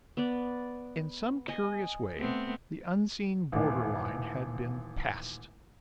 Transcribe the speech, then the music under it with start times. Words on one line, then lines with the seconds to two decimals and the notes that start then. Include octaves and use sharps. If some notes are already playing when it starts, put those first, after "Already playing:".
In some curious way the unseen border line had been passed.
0.17 B3 D5
1.48 D#5 G#5
2.17 A3 B3 C4
3.52 D#1 A1